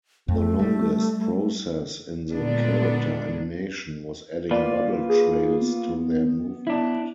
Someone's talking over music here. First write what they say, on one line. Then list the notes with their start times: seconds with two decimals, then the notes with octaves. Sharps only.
The longest process in the character animation was adding bubble trails to their movement.
0.28 F2 A3
0.59 G3
2.32 A#2 D3 G#3 B3 D4
4.51 A#3 F4 B4 D5
5.09 G#4
5.61 B3
6.67 D4 E4